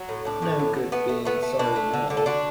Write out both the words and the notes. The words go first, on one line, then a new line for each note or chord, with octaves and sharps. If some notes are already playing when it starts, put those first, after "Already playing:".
No good being sorry now.
Already playing: F#3
A2
A2 D4
A2
F#3
A3
A3 B3
A3
A3 B3
A3
B2 D4
A3
D3
D3
A4
D3 D4 F#4